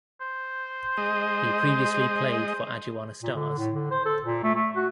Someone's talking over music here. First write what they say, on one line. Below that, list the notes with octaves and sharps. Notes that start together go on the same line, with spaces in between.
He previously played for Aduana Stars.
C5
G#3 D#5
A#2
D3
A2
D3
C5
A4
A#2
A3
A3
F#4